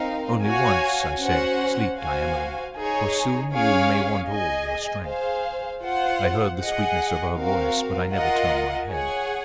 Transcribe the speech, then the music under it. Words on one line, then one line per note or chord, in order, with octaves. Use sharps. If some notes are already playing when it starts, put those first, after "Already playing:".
Only once I said, 'Sleep, Diamelen, for soon you may want all your strength.' I heard the sweetness of her voice, but I never turned my head.
Already playing: C4 D#4 A#4 F5
F#4 C#5 F5 G#5
C#4 F#4 C5 F#5
F#4 C5 F5 G#5
D#4 G#4 C#5
C#4 G#4 C#5 F5
G#4 D#5 G#5
G#4 C5 F5
F4 C5 F#5
G#4 D#5 F#5
C4 F#4 A#4 F5
F4 A#4 D#5 F#5
G#4 C#5 F#5